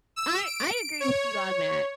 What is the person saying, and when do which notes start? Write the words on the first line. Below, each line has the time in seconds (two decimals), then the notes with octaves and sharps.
I I agree with you on that,
0.16 E6
0.46 D7
1.00 C#5